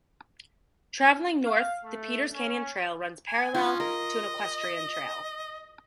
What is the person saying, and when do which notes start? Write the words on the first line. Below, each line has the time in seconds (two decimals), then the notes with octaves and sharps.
Traveling North the Peters Canyon trail runs parallel to an equestrian trail.
1.44 F5
1.82 A3
2.33 C#4
3.27 G#5
3.54 C#4 F4
3.80 A#4 D#5